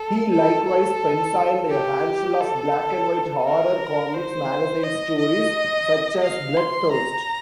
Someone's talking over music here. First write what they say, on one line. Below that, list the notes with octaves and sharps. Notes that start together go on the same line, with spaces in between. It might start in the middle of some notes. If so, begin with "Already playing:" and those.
He likewise penciled a handful of black-and-white horror-comics magazine stories, such as Blood Thirst!
Already playing: A4
A4
A4
G4
A4
A#4
C5
D#5
D#5
F5
C6
A#5